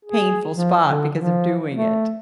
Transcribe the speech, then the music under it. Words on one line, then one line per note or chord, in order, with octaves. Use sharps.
painful spot because of doing it.
G#4
F3
D3
F3
A3